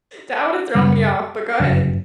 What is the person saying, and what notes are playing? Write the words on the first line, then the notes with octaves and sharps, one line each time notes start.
That would have thrown me off, but go ahead.
F#2 C#3 G3
G1 F#2 C#3